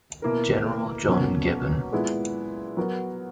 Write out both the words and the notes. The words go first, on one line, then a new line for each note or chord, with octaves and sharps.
General John Gibbon.
B2 A#3 E4 A#4
B2 F#3 A#3 C#4
A#2 G#3 B3 E4
F#3 B3 F#4 A#4